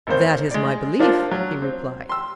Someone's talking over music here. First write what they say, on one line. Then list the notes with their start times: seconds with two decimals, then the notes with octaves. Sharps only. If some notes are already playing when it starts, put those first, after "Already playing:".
That is my belief, he replied.
0.07 G#1 A#3 C5
0.51 G#3 D5
0.99 F3 A#3 D4 F4 F5
1.31 F#3
1.62 C4
2.09 C6 E6